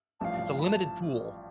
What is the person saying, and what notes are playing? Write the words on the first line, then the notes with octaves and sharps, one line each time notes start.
It's a limited pool.
A1 G2 F3 F5 A5
B5
A5